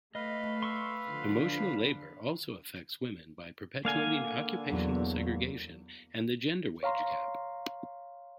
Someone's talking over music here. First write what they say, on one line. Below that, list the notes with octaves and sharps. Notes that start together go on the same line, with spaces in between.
Emotional labor also affects women by perpetuating occupational segregation and the gender wage gap.
A3 B4 D#5 F5
C6 C#6 E6
D3 F3
D3 A#3 F5 G#5
E2 F#3
C#5 F5 A#5 C6